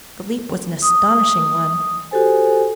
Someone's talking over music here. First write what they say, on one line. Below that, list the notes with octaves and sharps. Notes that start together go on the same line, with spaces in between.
The leap was an astonishing one.
D#6
F#4 G4 A4 C5 G#5